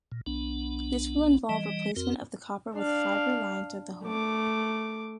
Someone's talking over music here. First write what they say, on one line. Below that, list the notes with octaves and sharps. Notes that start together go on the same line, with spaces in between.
This will involve replacement of the copper with fibre line to the home.
A#2
B1 B3 D4
E3 G3 D#5
F2 C4 F#4 A#4
D4 F5
A3 D6